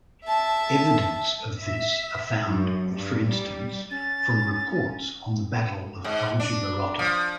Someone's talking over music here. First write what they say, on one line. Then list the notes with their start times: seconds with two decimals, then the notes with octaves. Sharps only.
Evidence of this are found, for instance, from reports on the Battle of Aljubarrota.
0.25 E5 A5
1.61 E5
2.45 F#2
2.90 G2
3.28 G3
3.90 C#4 A6
6.04 G#2
6.40 D4
6.99 F3